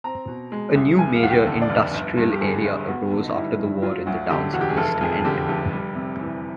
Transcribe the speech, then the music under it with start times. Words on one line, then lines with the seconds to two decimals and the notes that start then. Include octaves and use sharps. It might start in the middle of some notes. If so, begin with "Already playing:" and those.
A new major industrial area arose after the war in the town's east end.
0.04 C4 A#5
0.28 B2
0.52 G#3
0.75 C2
0.99 F1 G#5
1.16 F5
1.23 D#2 F#5
1.31 G5
1.46 D3
1.62 D5
1.70 F1
1.94 G1
2.17 G2
2.32 G4
2.41 D3 G#4
2.64 G1
2.88 B3 F#4
3.11 D3
3.24 D#4
3.35 G3 E4
3.59 F#2
3.82 F#3 F4
4.06 D2 F#4
4.30 D3 G4
4.53 E1 F#4
4.61 G4
4.69 G#4
4.77 F1 A4
5.01 F2 G#4
5.25 D3 G4
5.48 F1 G4
5.71 G3
5.95 C3
6.19 E3